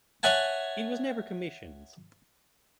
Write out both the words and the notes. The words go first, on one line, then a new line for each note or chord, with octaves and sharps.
It was never commissioned.
C#5 E5 F#5 G#5 A5